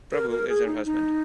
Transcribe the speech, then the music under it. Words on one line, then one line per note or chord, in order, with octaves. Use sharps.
Prabhu is her husband.
A#4
A#4
G#4
D#4
D#4